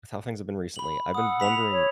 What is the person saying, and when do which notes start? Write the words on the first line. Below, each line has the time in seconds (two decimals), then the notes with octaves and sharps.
with how things have been recently, I've been wondering,
0.76 B5 F#7
1.14 F#5 D#6 E6
1.40 B5 B6 F7
1.72 C#5